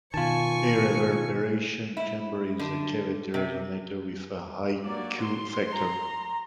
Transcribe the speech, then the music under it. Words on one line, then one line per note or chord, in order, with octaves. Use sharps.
A reverberation chamber is a cavity resonator with a high Q factor.
B2 D#3 F4 G#5 A5 C#6
E4
D3
C3
F#3 A#3 D5
C6
A#5